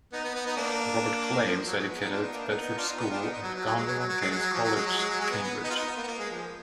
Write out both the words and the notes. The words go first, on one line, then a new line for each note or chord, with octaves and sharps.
Robert Clay was educated at Bedford School and Gonville and Caius College, Cambridge.
B3 D#4
B3
B3
B3 D#4
A#3 D4
F3
F#3
G#3
B3
B3 D#4
D4 F4
B3 D#4
A#3 D4
B3 D#4
B3 D#4
D4 F4
B3 D#4
B3 D#4
D4 F4
B3 D#4
B3 D#4
F#3
F#3
F#3
G#3
F#3
F#3
F#3
G#3
F#3
F#3
F3
F#3
G#3
F#3
G#3
F#3
G#3
B3
B3
B3 D#4
F4
B3 D#4
B3
A#3
B3
A#3
G#3
F3